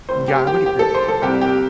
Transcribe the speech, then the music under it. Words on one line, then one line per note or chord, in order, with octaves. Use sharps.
Yeah, I would agree with that.
A2 G3 C4 C5
G4
G4
G4
A4
C5
A4
C2 C3 G3 C4 G4
G4